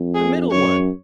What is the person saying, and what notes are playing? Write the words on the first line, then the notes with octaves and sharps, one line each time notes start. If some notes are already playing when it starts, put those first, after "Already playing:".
"The middle one."
Already playing: F2
G#4
F#2 C#5